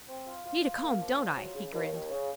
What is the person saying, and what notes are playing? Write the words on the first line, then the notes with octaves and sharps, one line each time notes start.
"Need a comb, don't I?" he grinned.
C4
F4
F4
F4
A#3
F3
F4
F#3
C#3
D#2
D#2
C#3